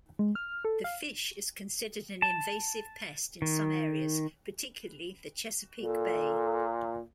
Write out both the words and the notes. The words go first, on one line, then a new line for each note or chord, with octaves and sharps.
The fish is considered an invasive pest in some areas, particularly the Chesapeake Bay.
G#3
F6
A4
F5
A5
D#3
A#2 A4